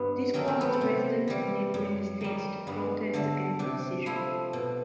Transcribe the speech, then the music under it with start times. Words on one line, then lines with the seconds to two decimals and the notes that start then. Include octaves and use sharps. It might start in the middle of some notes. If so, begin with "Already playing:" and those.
This caused the residents of neighbouring estates to protest against the decision.
Already playing: G2 B3
0.34 D#3 F#3 A3 C#4
0.48 C4
0.61 B3
0.73 C4
0.81 C3
1.28 E3 G3
1.74 F#2
2.21 D#3 G3
2.67 G2 B3
3.13 D3 F#3 A3
3.59 C3 D4
4.06 F3 A3 E4
4.53 B2